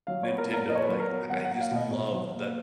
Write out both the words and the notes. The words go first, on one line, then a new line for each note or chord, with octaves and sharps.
Nintendo, like, I I just love tha
F#3 F5
C#5
B3
A#4
A#2
A#4
A#2 D#5
C#5
B4
F#3 C#5
A#4
B3
F#3 F#5
F#5
A#3
F5
B2 D#5
B2 C#5
F#3
A#3